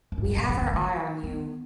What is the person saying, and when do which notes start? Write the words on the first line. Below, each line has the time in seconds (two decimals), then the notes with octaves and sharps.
We have our eye on you.
0.12 F#2
0.18 G#2
0.25 F#2
0.37 A#2
0.49 F3
0.62 D#3
0.74 A#3
1.23 B3